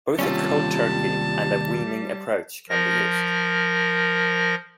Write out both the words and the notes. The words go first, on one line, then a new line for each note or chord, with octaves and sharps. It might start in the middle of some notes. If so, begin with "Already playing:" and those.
Both a "cold turkey" and a "weaning" approach can be used.
D#2 C3 G3 C#4 F4 A5
F3 A#4 A#6